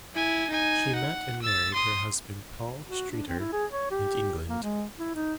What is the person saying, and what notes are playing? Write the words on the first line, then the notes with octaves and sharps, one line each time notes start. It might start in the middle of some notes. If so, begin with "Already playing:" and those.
She met and married her husband Paul Streeter in England.
E4 G#5
D#4 G#5
F#5
E6 A6
C6 D#6
F#4
D4
C4
E4
G#4
C#5
G4
A#3
G#3
E4
D#4